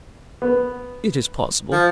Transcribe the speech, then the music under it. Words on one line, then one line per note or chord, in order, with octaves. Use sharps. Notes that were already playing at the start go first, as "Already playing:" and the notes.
"It is possible."
B3
F3